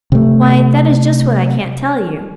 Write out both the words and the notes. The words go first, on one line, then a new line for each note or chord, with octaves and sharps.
'Why, that is just what I can't tell you.
C3 A3